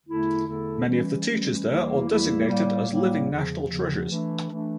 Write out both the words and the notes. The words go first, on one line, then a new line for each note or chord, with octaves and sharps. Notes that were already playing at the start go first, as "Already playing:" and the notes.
Many of the teachers there are designated as Living National Treasures.
E2 D3 A3 E4 A4
E2 D3 A3 E4 A4
E3 G3 C#4
E3 G3 C#4
E2 E3 G3 A#3 E4
E2 E3 G3 A#3 E4
A2 G3 A#3
A2 G3 A#3
E2 C#3 F3
E2 C#3 F3
E3 A3 D4
E3 A3 D4